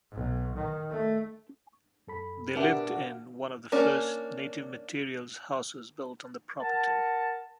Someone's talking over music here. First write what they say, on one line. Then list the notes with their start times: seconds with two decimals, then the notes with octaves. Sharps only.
They lived in one of the first native-materials houses built on the property.
0.12 B1
0.56 D#3
0.89 A3
2.07 F#2 A4 B5
2.55 B2 D4 G4 A#4 B4 E5 F#5
2.91 F#4 F5
3.72 A#3 C#4 D4
6.61 A#4 F#5 A5